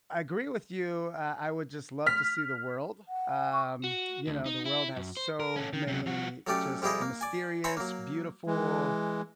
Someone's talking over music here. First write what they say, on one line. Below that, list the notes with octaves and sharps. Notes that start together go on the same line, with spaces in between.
I agree with you, uh, I would just love to see the world, um, you know, the world has so many just mysterious, beautiful,
F6 B6
F#5
C#6
F#4
D2
D#4
E4
F#2
C5
A#4
C#4 A4
D#3
C3 F#3
F3 F#4
F#3 A3 C#4 G4 D5
F2 G3 E4 G4 G#4 D#5
A#3
D5 G#5
C5 C#5 E5 G#5 A#5 B5
F#3 A#3
E3 G#3